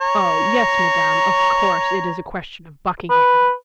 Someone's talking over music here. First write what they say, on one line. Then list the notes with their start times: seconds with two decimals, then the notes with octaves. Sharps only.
"Oh! yes, madame; of course, it is a question of Buckingham."
0.01 C#5 A#5
3.10 B4